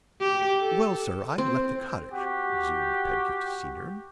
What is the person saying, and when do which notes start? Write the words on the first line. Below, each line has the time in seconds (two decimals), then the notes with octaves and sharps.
"Well, sir, I left the cottage," resumed Pedgift Senior.
0.21 G4
0.60 A4
1.38 C4
2.12 F#4 G4